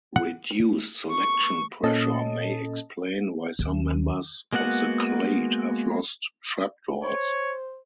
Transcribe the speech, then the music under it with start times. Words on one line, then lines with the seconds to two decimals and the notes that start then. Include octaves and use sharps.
Reduced selection pressure may explain why some members of the clade have lost trapdoors.
0.16 F#5
1.11 C#6
1.83 A#2 C#4 A4 D#5 A5
3.59 D#2
4.53 G#3 A#3 B3 F#4 F#5
7.03 C5 C#5